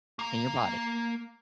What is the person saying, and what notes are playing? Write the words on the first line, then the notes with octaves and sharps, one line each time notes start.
in your body.
A#3 A#5